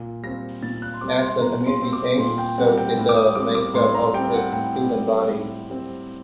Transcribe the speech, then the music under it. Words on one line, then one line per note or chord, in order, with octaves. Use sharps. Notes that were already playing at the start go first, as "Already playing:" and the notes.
As the community changed, so did the makeup of its student body.
Already playing: A#2
G3 C4 A#6
A#2 A6
F#6
C6
G3 C4 D6
C6
A#2 A#5
C6
G3 C4
D6
A#2 C6
G5
G3 C4 F#5
G5
A2 G5
D6
D#6
G3 C4 D6
D6
A2 C6
A#5
G3 C4 G5
F#5
A2 G5
G3 C4
A2
G3 C4